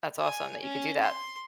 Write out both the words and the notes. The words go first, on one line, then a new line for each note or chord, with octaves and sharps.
That's awesome that you could do that.
G#5
C#4
C6